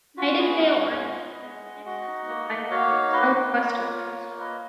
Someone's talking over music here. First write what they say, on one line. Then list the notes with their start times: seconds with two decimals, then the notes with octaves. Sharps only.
Nightingale Island and Inaccessible Island are southwest of Tristan.
0.18 F4 F#4
0.38 B3 G#4
0.59 G#3 F#4 A#4
0.80 G#3 C#5 F5
1.01 F4 D#5 F#5
1.23 B3
1.44 G#3
1.66 G#3
1.85 F#4 D#5 F#5
2.07 D#4
2.29 A#3
2.50 A#3
2.70 F#4 C#5 F5
2.91 D#4
3.13 A#3 B4 D#5
3.33 A#3
3.55 A#3 A#4 C#5
3.76 F4
3.98 A#3
4.18 F4
4.39 A#3 B4 D#5